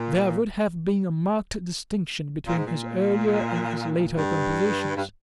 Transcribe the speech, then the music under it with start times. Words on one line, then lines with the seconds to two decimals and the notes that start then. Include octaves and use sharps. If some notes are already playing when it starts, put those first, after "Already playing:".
There would have been a marked distinction between his earlier and his later compositions.
Already playing: A#2
2.47 A#2
2.56 G#2
2.66 A#2
4.17 G2
4.97 G2